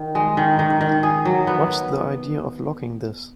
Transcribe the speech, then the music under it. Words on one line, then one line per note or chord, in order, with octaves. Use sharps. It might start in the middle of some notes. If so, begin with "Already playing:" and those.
What's the idea of locking this?
Already playing: D#3
G#3
D#3
D#3
D#3
G#4
F#3
B3